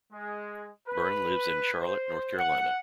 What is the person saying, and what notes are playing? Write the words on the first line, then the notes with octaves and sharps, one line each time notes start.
Byrne lives in Charlotte, North Carolina.
G#3
B4
C5
F#5